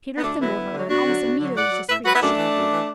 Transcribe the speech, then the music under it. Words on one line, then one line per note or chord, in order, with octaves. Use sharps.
Peter thimbled her, and almost immediately she screeched.
B3
D2 A3 D4
D3 F#3 B3 E4
D2
D3 F#3
D2 D4 F#4
D3 F#3
D2
D3 F#3
A2 D5 F#5
F#3
A2 B4 E5
F#3 F#4 B4
B3 E4
F#2 A3 D4
E3
F#2
E3